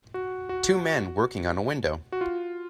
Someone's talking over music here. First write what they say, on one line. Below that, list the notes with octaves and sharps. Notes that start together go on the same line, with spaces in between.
Two men working on a window.
F#4
F#4
F#4
F4